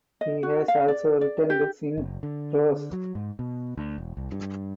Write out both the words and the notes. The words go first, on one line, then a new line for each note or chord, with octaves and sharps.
He has also written books in prose.
D#5
F#4
F5
D5
D5
G4
F#1
D3
F#3
G#2
B2
D2
E1
C2
G2